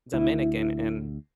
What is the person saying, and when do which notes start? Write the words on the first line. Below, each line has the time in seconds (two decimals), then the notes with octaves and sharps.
Dominican and
0.14 D2 E4